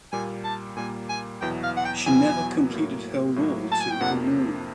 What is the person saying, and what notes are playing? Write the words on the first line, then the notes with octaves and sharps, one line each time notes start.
She never completed her roll to Uluru.
A#2 G3 A#3 G#5
A5
A#2 G3 A#3 G#5
G#5
E2 B2 F#3 B3 E4 G5
F5
F#5
G5
E2 B2 F#3 B3 E4 G#5
A2 F#3 A#3
A2 F#3 A#3
A5
G#5
G5
F2 C3 F3 A#3 D4 F#5